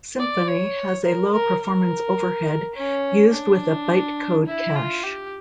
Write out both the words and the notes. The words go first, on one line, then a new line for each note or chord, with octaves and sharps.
Symfony has a low performance overhead used with a bytecode cache.
D5
C#5
A#4
A#4
A#4
C#4
D4
E4
F4
G4